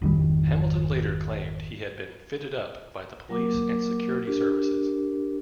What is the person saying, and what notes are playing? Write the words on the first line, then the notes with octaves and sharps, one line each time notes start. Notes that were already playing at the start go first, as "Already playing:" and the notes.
Hamilton later claimed he had been "fitted up" by the police and security services.
G#1 F2 D#3 G3
F#3 A#3 A#4 D6
D4 G4 A#4